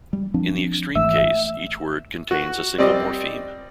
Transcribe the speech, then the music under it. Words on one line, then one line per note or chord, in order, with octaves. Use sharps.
In the extreme case, each word contains a single morpheme.
G3
F3 C4 D4
G#1 E3 A3 E5
F#4
G3 C4 D5 D#5